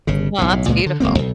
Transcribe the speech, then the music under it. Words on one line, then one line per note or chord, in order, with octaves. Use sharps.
Well, that's beautiful.
G1 C#3
B1 A2
C#2 A#2 F#3 G#3
D3
D#1 C#2 A#3 C4
B1